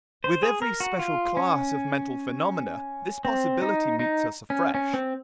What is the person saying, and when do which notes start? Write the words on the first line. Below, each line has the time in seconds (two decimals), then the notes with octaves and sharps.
With every special class of mental phenomena this possibility meets us afresh.
0.24 C5
0.43 G#4
0.62 A#4
0.80 F#4
0.99 F4
1.37 C#4
3.25 C4
3.62 D#4
3.99 D#4
4.50 C#4
4.74 C#4
4.94 C4